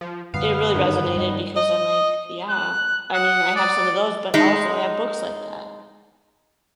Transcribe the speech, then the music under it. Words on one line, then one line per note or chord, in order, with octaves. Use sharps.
it really resonated because I'm like, "Yeah, I mean, I have some of those, but also I have books like that."
F3
F#2 D3 G3 B3 B4 F5
G2 D#3
G3 D#5
D#5
F#6
F#5 D#6
D5
G#3 D#4